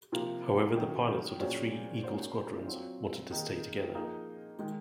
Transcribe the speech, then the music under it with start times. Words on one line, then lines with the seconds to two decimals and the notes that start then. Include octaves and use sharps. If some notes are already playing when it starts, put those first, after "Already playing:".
However, the pilots of the three Eagle Squadrons wanted to stay together.
0.12 C3 F3 A#3 F4
0.76 D#3 F#3 C#4
1.40 A#2 F#3 C#4 G#4 C5
2.03 A#3 C#4 F#4 C5
2.67 F#3 C4 F4
3.31 D#3 A#3 D#4 G#4
3.95 F3 A#3 D#4 G#4 D#5
4.59 D#3 G#3